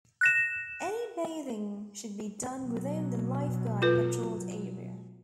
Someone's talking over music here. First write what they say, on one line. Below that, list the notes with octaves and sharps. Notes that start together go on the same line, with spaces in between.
Any bathing should be done within the lifeguard-patrolled area.
F#6 A#6 E7
B2 F#3
F4 A4 B4